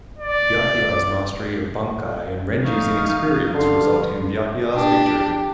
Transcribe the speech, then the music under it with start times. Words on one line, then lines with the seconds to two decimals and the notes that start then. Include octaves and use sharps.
Byakuya's mastery of bankai and Renji's inexperience result in Byakuya's victory.
0.18 D5
2.64 F3 A3 B3 D#4 F5 C#6
3.54 G2 D3 F3 C#4 F5 C6
4.74 D4 G4